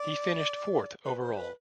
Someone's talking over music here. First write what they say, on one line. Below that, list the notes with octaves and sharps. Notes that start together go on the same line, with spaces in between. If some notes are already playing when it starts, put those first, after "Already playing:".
He finished fourth overall.
Already playing: D5
B4
C5
B4